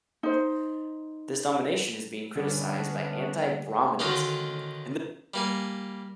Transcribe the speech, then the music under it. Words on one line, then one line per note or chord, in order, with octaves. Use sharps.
This domination is being criticised by Anti-Brahminism.
D#4 C5
D3 G3 B3 C#4 D4
D3 D#3 C#4 D#4 F4 F#4
G3 A#3 G#5